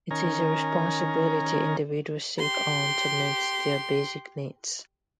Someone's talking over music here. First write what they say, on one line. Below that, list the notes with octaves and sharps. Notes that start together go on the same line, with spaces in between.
It is a responsibility individuals take on to meet their basic needs.
D#3 C#4 A#4 G#5 A#5
G4 C6